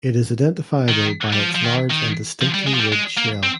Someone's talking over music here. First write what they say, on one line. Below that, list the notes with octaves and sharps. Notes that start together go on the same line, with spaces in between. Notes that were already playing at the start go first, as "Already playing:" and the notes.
It is identifiable by its large and distinctly ribbed shell.
D#3
G3
F3
F3
D#3
D#3
F3
G3
G#3
F3
G3
G#3
A#3
C4